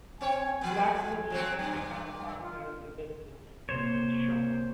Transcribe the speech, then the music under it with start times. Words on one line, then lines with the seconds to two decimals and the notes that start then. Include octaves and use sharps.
Black would later become a partner in the business with Shaw.
0.21 C4 C#5 G#5
0.61 F3 B3
1.30 F3 F#3 C4
1.59 G2 A#2
2.42 F4
3.69 C3 A#3 C5 C#5